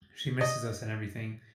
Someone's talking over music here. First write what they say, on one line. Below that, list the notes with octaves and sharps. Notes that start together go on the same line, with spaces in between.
she misses us and everything.
D#5